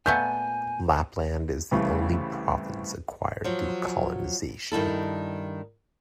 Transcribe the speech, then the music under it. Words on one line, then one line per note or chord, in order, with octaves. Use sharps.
Lapland is the only province acquired through colonization.
A#2 A3 B3 G#5 G6
C2 C#3 E3 A3
F3 F#3
G2 D#3 E4 A4